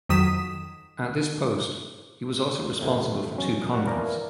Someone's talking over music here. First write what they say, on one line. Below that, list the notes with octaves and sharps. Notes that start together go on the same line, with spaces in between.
At this post he was also responsible for two convents.
F2 D#3 F#3 D#6 B6 E7
A1 F2 C3
E2 F#3 C#4
A#2 G3 F#4
E3 F3 A#4 D5